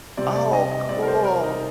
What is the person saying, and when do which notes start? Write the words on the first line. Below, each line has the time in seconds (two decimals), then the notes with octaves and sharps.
Oh, cool!
0.17 C3 G3 C4 D5
0.35 D5
0.53 D#5
0.71 D#5
0.89 C3 G3 C4 D5
1.03 A#4
1.07 C5
1.25 A#4
1.43 D#4